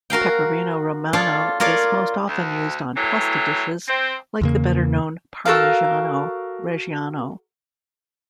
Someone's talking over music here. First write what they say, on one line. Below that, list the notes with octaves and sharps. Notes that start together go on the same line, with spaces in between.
Pecorino Romano is most often used on pasta dishes, like the better-known Parmigiano Reggiano.
F#4 A#4 F5 G5
F4 A4 C#5 D5 F5
F4 A#4 C#5 D5 F5
D2
E2 A2 E3 F#3
C4
E2 C#3 A#3
F#4 A4 A#4 F5